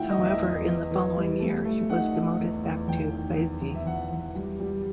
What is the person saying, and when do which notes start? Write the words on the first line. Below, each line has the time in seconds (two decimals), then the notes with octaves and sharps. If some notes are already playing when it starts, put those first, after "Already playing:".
However, in the following year, he was demoted back to "beizi".
Already playing: D#3 A3 E4 E5 F#5 G5
0.10 D#5
0.18 E2
0.25 E5
0.42 E2 D#5
0.68 E2
0.91 E3
1.16 G3
1.40 A3
1.65 A3
1.90 D#4 F#5
2.15 A3
2.39 E2
2.64 E2
2.88 E2 G5
3.13 D#3
3.37 E2
3.61 E2
3.75 E5
3.86 E2 F#5
4.12 E2
4.35 G3
4.60 G3